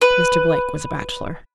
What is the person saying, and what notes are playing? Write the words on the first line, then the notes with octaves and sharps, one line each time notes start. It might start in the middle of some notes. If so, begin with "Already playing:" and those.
Mr. Blake was a bachelor.
B4